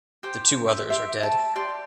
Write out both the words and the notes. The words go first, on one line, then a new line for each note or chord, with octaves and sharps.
The two others are dead.
G4 C5 G5
E5
G4 C5 E5
A5
A5
G4 D5 C6